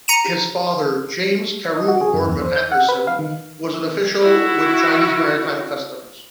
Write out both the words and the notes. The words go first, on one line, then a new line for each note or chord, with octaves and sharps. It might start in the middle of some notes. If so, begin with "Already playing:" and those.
His father, James Carew O'Gorman Anderson, was an official with Chinese Maritime Customs.
A#5 C#7 D#7
D#5
F#4
G#4
F#2
E2
C5
G6
F#5
B4
F5
D#3
E4 F#4